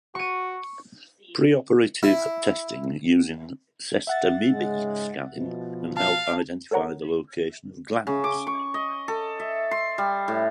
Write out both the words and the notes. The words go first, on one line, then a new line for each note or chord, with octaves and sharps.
Preoperative testing using sestamibi scanning can help identify the location of glands.
F#4 C#6 D#7
E4
E5 F#5 A6
G#2 C#3 G#3
B2 F3
F5 A5
A4 A#4 C#5 F#5 A#5
C#3
D6
C#6
D#5
A4
E5
C6
G3
A2